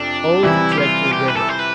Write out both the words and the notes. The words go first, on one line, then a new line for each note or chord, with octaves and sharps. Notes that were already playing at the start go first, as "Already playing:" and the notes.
Oh, the dreadful river!'
Already playing: F2 C3 D4
C3 E3 G3 E4
G4
F4
G4
B4
A4
C5
B4